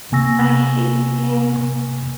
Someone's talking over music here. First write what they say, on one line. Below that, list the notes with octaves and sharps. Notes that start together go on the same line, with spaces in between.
I hate the game.
C3 A#3 G#5 C#6 E6 A#6